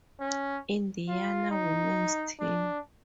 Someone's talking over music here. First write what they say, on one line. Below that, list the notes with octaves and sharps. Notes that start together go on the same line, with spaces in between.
Indiana women's team.
C#4
F4
D#4
D4